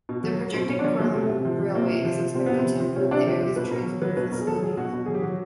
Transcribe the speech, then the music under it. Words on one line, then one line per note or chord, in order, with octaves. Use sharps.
The projected Koralm Railway is expected to improve the area's transport facilities.
B2
F#3
F#3
B2 C4
B2 C#4
D4
F#3 C#4
F#3 A#3
C3 A3
C3
F3
F3
C3 A#3
C3
F3
F3
C3 C4
C3 B3
C4
F3
F3
C3 C#4
C3 D4
F3 G4
F3 G4
B2 B4
B2 A#4
F#3
F#3 B4
B2 B4
B2 A#4
G#4
F#3 A4
F#3 G#4
B2 F#4
B2
F#3 G#4
G4
F#3 F#4